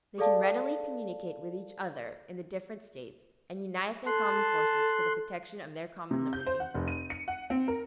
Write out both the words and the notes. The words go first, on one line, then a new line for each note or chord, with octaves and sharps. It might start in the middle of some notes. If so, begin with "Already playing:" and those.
They can readily communicate with each other in the different States, and unite their common forces for the protection of their common liberty.
G#4 A4 D5 F5 A5
A4 A5 C6 F#6
C3
G6
C5
F#5
F1
D#7
C#7
F#5
C4
A#4